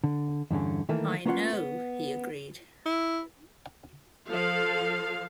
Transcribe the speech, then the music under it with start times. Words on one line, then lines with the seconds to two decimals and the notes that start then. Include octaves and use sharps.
"I know," he agreed.
0.04 D3
0.51 E2 G2 D3 C#4
0.89 D#3 E3 A3 A#3
1.26 A#3 B3 C#4 E4 F4 F#5
1.53 B3
2.86 E4
4.29 F3 A4 F5